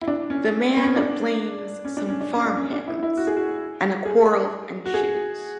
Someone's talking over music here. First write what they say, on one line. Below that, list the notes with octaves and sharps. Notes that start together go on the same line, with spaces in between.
The man blames some farm hands, and a quarrel ensues.
E4
D4
C#4
B3
C#4
D4
C#4
D4
C#4
D4
C#4
D4
C#4
D4
E4
E4
F#4
G#4
F#4
G#4
F#4
G#4